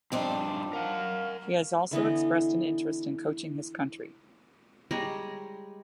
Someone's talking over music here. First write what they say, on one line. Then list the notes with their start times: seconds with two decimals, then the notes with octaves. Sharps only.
He has also expressed an interest in coaching his country.
0.12 G2 F3 C4 D4 D#4
0.73 A#4 F5 F#5
1.91 D3 E3 B3 D#5
4.91 G3 G#3 C#5 A#5